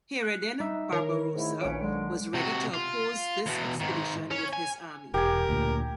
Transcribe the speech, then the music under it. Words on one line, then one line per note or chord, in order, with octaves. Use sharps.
Hayreddin Barbarossa was ready to oppose this expedition with his army.
F#6 C#7
G3 D#4 E5
D#3 A#4 C#5
G#2 A3 E4
A#1 C#4 B4 C#5 D7
D3 F#3 G#3
C3 F#4
F4
E2 B2
G#2 D#3
C#4 C#5
G#5
E1 G4 A#4 G#5
D2 A#2